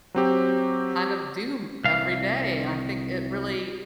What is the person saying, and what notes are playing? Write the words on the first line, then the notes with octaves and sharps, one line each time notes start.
kind of do every day, and I think it really
F#3 C4 G4
C2 F5